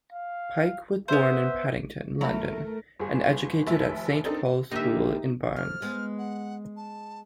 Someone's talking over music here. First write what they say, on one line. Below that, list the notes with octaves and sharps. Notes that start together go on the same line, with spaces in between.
Pyke was born in Paddington, London and educated at Saint Paul's School in Barnes.
F5
B3 C5 E5
F#3 A3 E4 A4 A#4 E5 A#5 B5
G1 G#4
F1 D#3 E5
C4 D4 D#4 A4 A#4
D3 A#3 D#4 G4 E5
F2 F6
G#3 B3
F#5
A5